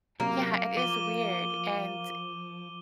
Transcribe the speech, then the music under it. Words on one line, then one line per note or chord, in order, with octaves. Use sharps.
Yeah, it is weird. And
F#2 C3 F#3 A#3
F3 D6 D#7 G7